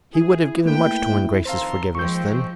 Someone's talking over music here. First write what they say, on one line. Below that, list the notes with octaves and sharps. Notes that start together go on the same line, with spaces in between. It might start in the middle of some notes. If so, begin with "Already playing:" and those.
He would have given much to win Grace's forgiveness then.
E4 G#4
A3 A#3 B4 G5
D#3 F3 C4 A4 C5 F5 A#5 C6
D#2 F3 G#3 C4 C#6 G6